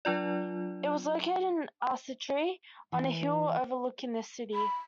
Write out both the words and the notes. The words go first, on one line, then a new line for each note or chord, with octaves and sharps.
It was located in Arcetri, on a hill overlooking the city.
F#3 D4 F4 D5
E3
B5